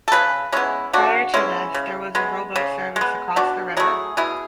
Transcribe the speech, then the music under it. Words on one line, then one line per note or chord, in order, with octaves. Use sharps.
Prior to this there was a rowboat service across the river.
A4
C#3 G#4 B4
G#3 B3 C#4 E4
C#3 D4 F#4
G#3 B3 C#4 E4
C#3
G#3 B3
C#3
G#3
B3
B2 D4 F#4
F#3 A3 E4 G#4
B2 E4 G#4